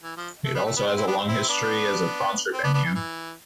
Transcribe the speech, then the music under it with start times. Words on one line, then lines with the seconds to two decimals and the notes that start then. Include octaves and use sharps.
It also has a long history as a concert venue.
0.03 E3
0.17 F3
0.45 A3
0.55 B3
0.65 A3
0.76 B3
0.87 C4
0.97 C4 E4
1.07 B3 D4
1.18 C4
1.28 C4 E4
1.49 B3 D4
2.54 C4
2.64 B3 D4
2.74 B3 D4
2.85 E3
2.95 E3